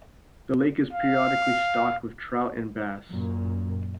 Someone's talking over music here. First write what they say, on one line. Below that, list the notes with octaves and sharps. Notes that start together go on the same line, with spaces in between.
The lake is periodically stocked with trout and bass.
F5
F#2 A#2